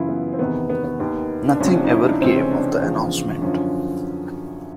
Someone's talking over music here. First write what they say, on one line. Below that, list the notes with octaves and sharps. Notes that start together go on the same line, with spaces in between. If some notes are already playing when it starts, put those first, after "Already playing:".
Nothing ever came of the announcement.
Already playing: F#2 C#3 E3 E4 F4
B3
C4
E2 C3 D#3 B3
B3
B3
D#2 D#3 B3
D4
D2 C3 F3 C#4
D4
D#4
E4
D4
C#2 C3 E3 C4
C#4
D4
E2 C#3 F3
F#2 D3 F3 C#4